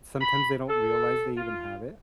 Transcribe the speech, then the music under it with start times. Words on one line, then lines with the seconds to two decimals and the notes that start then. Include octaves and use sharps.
sometimes they don't realize they even have it,
0.20 B5
0.69 A4
1.37 F4